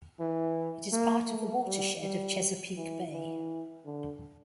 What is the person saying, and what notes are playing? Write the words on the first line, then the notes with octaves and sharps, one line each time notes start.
It is part of the watershed of Chesapeake Bay.
E3
A#3
A3
G3
G3
E3
E3
D3